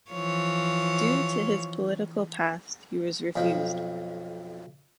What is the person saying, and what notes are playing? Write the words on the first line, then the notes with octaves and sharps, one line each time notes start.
Due to his political past, he was refused.
E3 F3 C#5
B1 F2 F3 G5